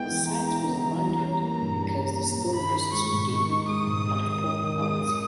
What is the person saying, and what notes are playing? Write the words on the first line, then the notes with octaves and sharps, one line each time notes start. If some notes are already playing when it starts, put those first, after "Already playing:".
The site was abandoned because the stone was too deep and of poor quality.
Already playing: G#3 B3 E4 G5
E3
G#3 A#5
E4
B3
E3
G3
C#4
A#3
G2
G3
C#4
A#3
G2
D#3 B5
D#4
G#3 C#6
G#2
D#3 C#6
D#4
G#3 D#6
G#2
G#3
D#3
C#4
D#3
G#3 D#6
D#3